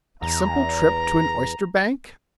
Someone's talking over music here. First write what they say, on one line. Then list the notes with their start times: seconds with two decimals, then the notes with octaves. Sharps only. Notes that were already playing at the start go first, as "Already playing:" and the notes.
"A simple trip to an oysterbank?"
0.22 E2 A#5